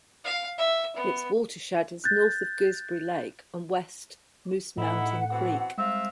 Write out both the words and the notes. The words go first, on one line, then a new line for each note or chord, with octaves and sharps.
Its watershed is north of Gooseberry Lake and west Moose Mountain Creek.
F5
E5
B3
F#6 G6 A6
A2 D#4 E4 A4 F#5
B2 E3 C4
G3 G#3 C4 E5 F5